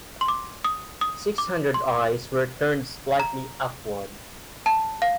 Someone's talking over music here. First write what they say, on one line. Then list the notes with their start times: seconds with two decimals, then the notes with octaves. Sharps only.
Six hundred eyes were turned slightly upward.
0.21 C6
0.28 D6
0.64 D#6
1.01 D#6
1.38 D6
1.74 C6
3.20 A#5
4.66 A5
5.02 F5